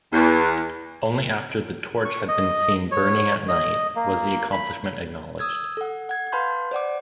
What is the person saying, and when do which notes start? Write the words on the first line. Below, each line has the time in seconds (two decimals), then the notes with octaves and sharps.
Only after the torch had been seen burning at night was the accomplishment acknowledged.
0.13 E2
2.05 C#6
2.28 D#5
2.91 C#5
3.48 D#5
3.96 A#3
4.52 B5
5.39 D#6 E6 G#6
5.77 A4 F#5
6.09 F#5 G#6
6.32 B4 F5 A5 B5 C6 G6
6.71 C5 D5 F#5 D6